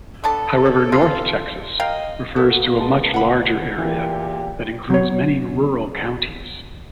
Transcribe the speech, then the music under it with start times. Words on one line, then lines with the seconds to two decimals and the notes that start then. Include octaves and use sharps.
However, North Texas refers to a much larger area that includes many rural counties.
0.24 B3 D4 A4 A5
0.92 F4
1.80 A#4 D#5 F5 G5
2.36 A#3 B3 F#4 A4 E5
2.79 G#3 A5
3.14 D2 F#5 B5
3.78 E2 A#2 E3 A#3 G4
4.90 F#3 B3 C#5